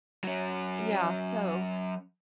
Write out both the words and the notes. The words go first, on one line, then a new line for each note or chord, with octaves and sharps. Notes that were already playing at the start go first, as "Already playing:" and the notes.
Yeah, so
F#3 C#4